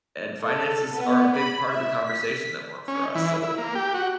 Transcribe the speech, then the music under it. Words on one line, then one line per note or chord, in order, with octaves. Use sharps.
and finances are a big part of the conversation that weren't for us, so,
A4
B3
B5
E5
B6
C#4
E3
E4
A#3
G4
F#4